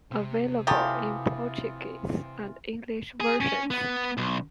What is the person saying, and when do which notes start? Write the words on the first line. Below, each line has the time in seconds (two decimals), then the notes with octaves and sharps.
Available in Portuguese and English versions.
0.12 C3
0.67 E3 F#3 A3 F4 G4 B5 D#6
3.20 G#4
3.41 C#4
3.71 B3
4.18 B1